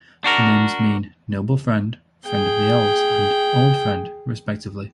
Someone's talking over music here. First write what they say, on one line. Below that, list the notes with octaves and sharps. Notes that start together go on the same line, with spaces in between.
The names mean "noble friend", "friend of the elves", and "old friend" respectively.
D4 F#4 A#4
G#4 G5